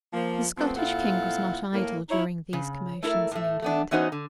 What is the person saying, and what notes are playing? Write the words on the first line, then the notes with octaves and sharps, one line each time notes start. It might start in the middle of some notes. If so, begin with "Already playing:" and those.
The Scottish king was not idle during these commotions in England.
F3 A#3
F3 A3 B3 C4
A#2 C4 E4 F4 A4 F#5
A2 A#3
D#4 E4 C#5
C#3
A3 E4 A4 A#4
A2 A3
A3 B3 D4
E3 B3 C#4 D#4 F#4 C5
D3